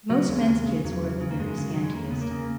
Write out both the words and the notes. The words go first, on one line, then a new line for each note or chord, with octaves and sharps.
Most men's kits were of the very scantiest.
C#3 F#3
D#2 G#3
C#3
C#3
E2 F#3
C#3
C#3
A#3
F#2 G#3
C#3
C#3 F#3
G#3
E2 A#3
C#3 B3
A#3
C#3